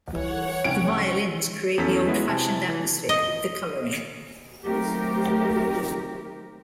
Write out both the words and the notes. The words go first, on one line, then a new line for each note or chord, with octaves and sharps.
The violins create the old-fashioned atmosphere, the colouring.
E3 G3 C#5 F#5
C2 C#4 G5 G#6 D7
E2 C#4 A4 B6
G#3 B3 E4
C3 E4 G#5 A5
E3
D#5
D#3 F#3 A3 C4 G4 A#4